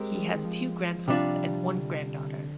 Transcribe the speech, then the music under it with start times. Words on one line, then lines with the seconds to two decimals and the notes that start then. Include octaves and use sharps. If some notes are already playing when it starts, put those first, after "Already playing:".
He has two grandsons and one granddaughter.
Already playing: G#3 C4 G4 A#4
0.15 G3
0.26 F3
0.35 D#3
0.45 F3
1.08 C3 G3 D4 F4
1.78 D3